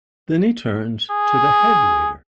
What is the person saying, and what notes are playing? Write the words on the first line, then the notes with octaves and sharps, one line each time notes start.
Then he turned to the head waiter.
G#4